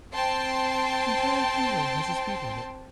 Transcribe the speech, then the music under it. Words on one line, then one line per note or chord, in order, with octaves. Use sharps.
The entire freeway has a speed limit.
C4 G5 A5 C6